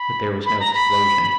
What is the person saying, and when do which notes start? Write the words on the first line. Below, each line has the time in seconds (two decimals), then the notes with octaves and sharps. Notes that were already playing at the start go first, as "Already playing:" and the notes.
But there was no explosion.
Already playing: B5
0.46 B5
0.60 A#5
0.74 B5